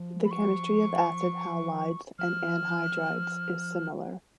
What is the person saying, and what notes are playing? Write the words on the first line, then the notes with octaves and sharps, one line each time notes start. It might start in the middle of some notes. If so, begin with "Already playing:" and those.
The chemistry of acid halides and anhydrides is similar.
Already playing: F3
B5
C#6
F3 F6